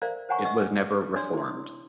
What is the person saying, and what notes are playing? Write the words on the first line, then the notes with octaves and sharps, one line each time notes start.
It was never reformed.
A#4 C5 D5 E5 F5 A#5
C5 C#5 F#5 G#5 A#5 C#6
D#5 E5 C#6 E6
D4 C#5 D5 C6 E6
E4 C6